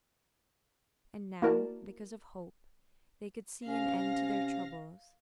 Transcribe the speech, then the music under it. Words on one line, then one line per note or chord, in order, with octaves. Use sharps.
And now because of Hope they could see an end to their troubles.
A#3 E4 F#4 A#4 D5 A5
C3 C#4 F5 A#6